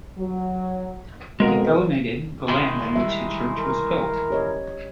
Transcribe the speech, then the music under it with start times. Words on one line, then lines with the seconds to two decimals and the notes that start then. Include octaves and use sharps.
He donated the land on which the church was built.
0.18 F#3
1.40 F2 B2 G#3 F#4 A#4
2.48 D#3 E3 G#3
2.96 G3 E5
3.58 A#4
4.30 G4 C#5 D#5